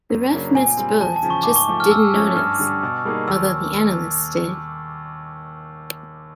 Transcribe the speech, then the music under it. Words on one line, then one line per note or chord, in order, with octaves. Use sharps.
The ref missed both, just "didn't notice", although the analysts did.
F#2
C#3 F#3 A#3 D4
A#2 G#5
G3 C4
E2 A5
A5
C#3 F3
C#6
G#2 D6
C#6
F3 A3
F6
G#2 E6
F3 A3 C#4
G2 F6
D3 G3
B2
G3 A#3 D#4 G#4
D#2 E6